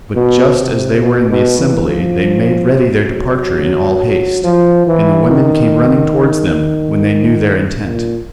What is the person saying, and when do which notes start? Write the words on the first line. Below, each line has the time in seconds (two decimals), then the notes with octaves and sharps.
But just as they were in the assembly they made ready their departure in all haste, and the women came running towards them, when they knew their intent.
0.16 B2
0.60 C3
1.01 B2
1.30 B2
1.59 E3
1.88 F3
2.73 F#3
4.44 F3
4.87 E3
5.30 D#3
7.86 A#2